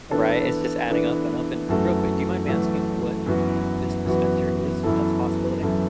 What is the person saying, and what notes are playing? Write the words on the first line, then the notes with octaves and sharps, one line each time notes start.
Right, it's just adding up and up and, real quick, do you mind me asking what the business venture is, if that's a possibility?
E3 B3 D4 A4
E3 B3 D4 A4
F#2 E3 A3 F#4 A4
F#2 E3 A3 F#4 A4
F#2 E3 B3 F#4
F#2 E3 B3 F#4
F#2 E3 B3 E4 A4
F#2 E3 B3 E4 A4